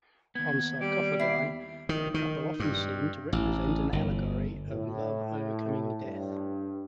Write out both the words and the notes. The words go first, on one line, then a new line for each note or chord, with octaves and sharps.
On sarcophagi, the couple often seem to represent an allegory of love overcoming death.
D#2 B3 G#6
G3 D7
E4 C7
D#3
D#3
G2
A1
G1
A2
G2